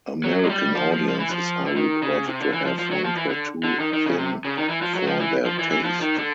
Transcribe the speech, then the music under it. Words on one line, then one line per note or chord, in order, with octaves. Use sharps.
American audiences are reported to have found her too thin for their taste.
F#3
G#3
G3
F3
F3
F3
E3
F3
D3
D#3
C#3
C3
D3
E3
F3
F3
F#3
F3
E3
D3
D3
D#3
D#3
C#3
C3
C#3
D#3
E3
F3
F#3
F3
E3
F3
E3
E3
F3
D#3
D3